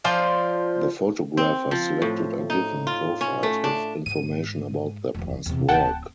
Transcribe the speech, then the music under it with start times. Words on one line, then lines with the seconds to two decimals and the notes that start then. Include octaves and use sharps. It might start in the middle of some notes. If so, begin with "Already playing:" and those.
The photographers selected are given profiles with information about their past work.
0.04 F3 F4 C5 D5
1.37 C4
1.71 F3
2.02 A2
2.50 D#4
2.87 F4
3.21 C#4
3.43 A3
3.64 D4
4.06 G#2 D#7
5.15 F1 D#2
5.46 E2 C3
5.68 D1 F#5 G5 A5